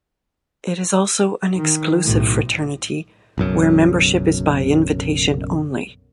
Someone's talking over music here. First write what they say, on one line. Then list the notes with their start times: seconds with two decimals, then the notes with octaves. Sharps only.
It is also an exclusive fraternity where membership is by invitation only.
1.56 D#3
2.05 B1 A2
3.38 F#1 B1 F#2